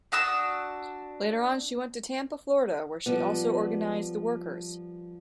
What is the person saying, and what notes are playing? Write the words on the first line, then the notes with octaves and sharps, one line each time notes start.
Later on, she went to Tampa, Florida, where she also organized the workers.
D4 F#4 D#6 E6
F3 G3 B3